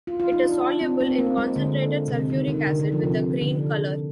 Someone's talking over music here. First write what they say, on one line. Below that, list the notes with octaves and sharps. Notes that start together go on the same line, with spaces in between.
It is soluble in concentrated sulfuric acid with a green color.
F4
F4
D#4
D4
C4
C4
A#3
G#3
D3
C3
D3
D#3
D#3
D3
D#3
F3
C3
D3